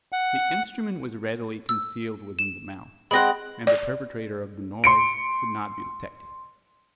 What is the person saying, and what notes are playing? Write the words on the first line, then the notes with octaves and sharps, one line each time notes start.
The instrument was readily concealed within the mouth, and the perpetrator of the noise could not be detected.
F#5
E6
E7
G#3 C4 F#5 B5 A#6
D5
C6 C#7 D7